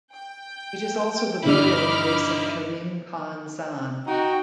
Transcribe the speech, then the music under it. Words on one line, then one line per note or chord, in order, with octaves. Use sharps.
It is also the burial place of Karim Khan Zand.
G5
G2 D3 E3 D#4 E4 B5 D6 F6
D#4 F#4 G5